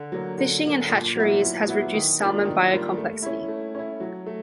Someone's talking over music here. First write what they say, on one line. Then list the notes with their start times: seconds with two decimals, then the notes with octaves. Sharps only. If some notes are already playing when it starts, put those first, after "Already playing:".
Fishing and hatcheries has reduced salmon biocomplexity.
Already playing: D3
0.12 F#3 A#3
0.38 D3
0.64 F#3 A#3
0.90 A#2
1.16 F#3 B3 E4
1.42 A#2
1.68 F#3 B3 E4
1.94 D#3
2.20 G3 A#3 D4 F4
2.45 D#3
2.72 G3 A#3 D4 F4
2.97 A3
3.22 C#4 E4
3.48 A3
3.75 C#4 E4
4.00 F#3
4.27 A3